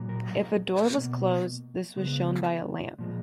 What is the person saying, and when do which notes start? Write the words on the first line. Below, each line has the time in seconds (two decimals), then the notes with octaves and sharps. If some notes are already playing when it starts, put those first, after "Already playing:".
If a door was closed, this was shown by a lamp.
Already playing: A#2 F#3 A#3
0.09 A#4
0.94 B2 A#3
1.96 C#3 G#3 B3
2.99 A#2 F3 G#3